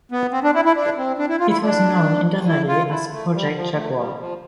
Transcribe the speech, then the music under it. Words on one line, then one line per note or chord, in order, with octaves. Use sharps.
It was known internally as project "Jaguar".
B3
C4
D4
E4
E4
D4
C4
D4
E4
F4
E4
D4
E4
F4
E4
A3
G3
F3
A3
G3
F3